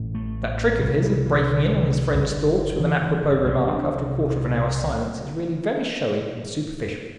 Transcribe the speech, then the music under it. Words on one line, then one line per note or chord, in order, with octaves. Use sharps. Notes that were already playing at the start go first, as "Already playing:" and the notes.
That trick of his of breaking in on his friends' thoughts with an apropos remark after a quarter of an hour's silence is really very showy and superficial.
Already playing: A1 A2
A3
C2 C3 G3
G3
E3
D3
G1 G2 D3
E3
E3
C2 C3 C4
D4